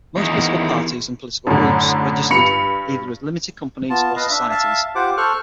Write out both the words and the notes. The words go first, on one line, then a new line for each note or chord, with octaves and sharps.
Most political parties and political groups registered either as limited companies or societies.
E2 D#3
F#2 A2 D3
G2 B5 C#7 F7
B3 F4 A5
B4 D#5 F5
D4 E5
E5 F5 A5
F4 G4 C5 F#5 D6
A4 C5 C#6 F6 F#6